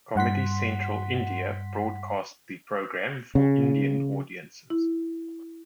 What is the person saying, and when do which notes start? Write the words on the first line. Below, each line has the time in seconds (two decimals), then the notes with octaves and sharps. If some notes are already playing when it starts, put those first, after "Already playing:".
Comedy Central India broadcast the program for Indian audiences.
0.16 G2 F#5 C6 B6
3.35 C#3
4.70 E4